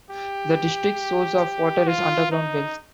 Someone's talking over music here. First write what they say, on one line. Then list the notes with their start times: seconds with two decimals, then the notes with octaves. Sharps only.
The district's source of water is underground wells.
0.11 G4
1.87 F4
2.31 D#4